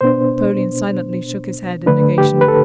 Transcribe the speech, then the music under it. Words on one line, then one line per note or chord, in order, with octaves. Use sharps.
Napoleon silently shook his head in negation.
B2 B3 D4 C5
D3 A3 D4 B4
G4
B4
A4